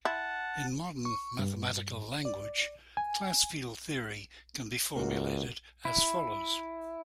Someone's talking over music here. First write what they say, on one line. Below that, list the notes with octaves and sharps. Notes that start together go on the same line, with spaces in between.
In modern mathematical language class field theory can be formulated as follows.
E4 F#5 A5
C#6
G2
D5
G#5
C#2 A#3 F#4
E4